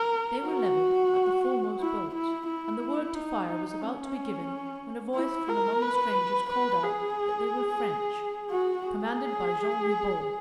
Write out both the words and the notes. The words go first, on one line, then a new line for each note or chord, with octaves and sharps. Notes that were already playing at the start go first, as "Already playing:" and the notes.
They were levelled at the foremost boats, and the word to fire was about to be given, when a voice from among the strangers called out that they were French, commanded by Jean Ribaut.
Already playing: A#4
F#4
E4
E4
E4
D#4
C#4
E4
A#4
B4
B4
G#4
F#4
G#4